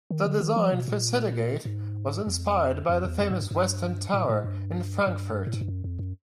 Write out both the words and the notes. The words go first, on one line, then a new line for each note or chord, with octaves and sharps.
The design for City Gate was inspired by the famous Westend Tower in Frankfurt.
D#3
D3
D#3
F3
B2
A#2
G#2
F2
F2
E2
F2
G#2
G2
G2
A2
A2
G2
G2
A2
G#2
G2
F#2
F2
F#2